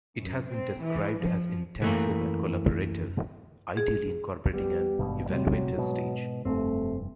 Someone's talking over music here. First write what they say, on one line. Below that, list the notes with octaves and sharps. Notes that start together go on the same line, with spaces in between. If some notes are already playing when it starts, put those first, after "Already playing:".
It has been described as intensive and collaborative, ideally incorporating an evaluative stage.
F#2
C4
E3
F3
F#2 E3 A3 A#3
G#4
G3 B3 G4
G#1 G2 B2
A2 C3 F#3 G3
G#2 B2
F1 G2 A3 C4